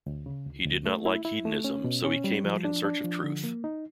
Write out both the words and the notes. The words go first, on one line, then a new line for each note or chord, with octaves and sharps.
He did not like hedonism so he came out in search of truth.
D2
C#3
D2
D2
A3
E4
E4
A3
C#4
B2
C#4
G3
F3
D4
D4
F3
D3
A#3
D#4